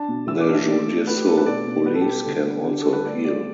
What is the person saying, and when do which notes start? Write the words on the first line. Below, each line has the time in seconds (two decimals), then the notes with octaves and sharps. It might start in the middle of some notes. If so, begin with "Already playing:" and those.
The judicial police can also appeal.
Already playing: D4 A5
0.08 B2
0.27 E3 E6
0.41 D6
0.47 D4
0.54 E5
0.67 A3 D5
0.87 A3
1.07 A3 B4
1.17 G4
1.27 D4 A4
1.37 B4
1.46 B2 D5
1.66 B2
1.86 G3 B4
1.94 A4
2.01 G4
2.06 B3 A4
2.25 D3
2.45 D4
2.66 D3 G4
2.81 G3 A4
2.93 B4
3.05 A3 D5
3.25 A3 D5